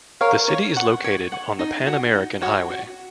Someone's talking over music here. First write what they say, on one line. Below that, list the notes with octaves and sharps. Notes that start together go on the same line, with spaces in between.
The city is located on the Pan-American Highway.
A#4 C#5 F5
C#5
F#5 C#6
C#5
F#5 C#6
D#4
F#4 C#5 F#5
D#4
F#4 C#5 F#5
F#4